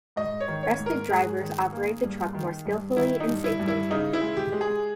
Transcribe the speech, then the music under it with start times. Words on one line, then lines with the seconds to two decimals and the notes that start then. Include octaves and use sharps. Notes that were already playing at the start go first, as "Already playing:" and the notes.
Rested drivers operate the truck more skillfully and safely.
0.16 G#2 D#5
0.40 C#5
0.48 D#3
0.63 C#5
0.79 G#2
0.86 A#4
1.10 G#2 G#4
1.41 D#3
1.72 A#3
2.04 G2
2.34 D#3
2.65 G2
2.96 D#3 E4
3.20 D#4
3.28 G2
3.44 E4
3.60 G2
3.67 E4
3.90 C#3 D#4
4.13 E4
4.21 G#3
4.37 G4
4.52 G#3
4.61 G#4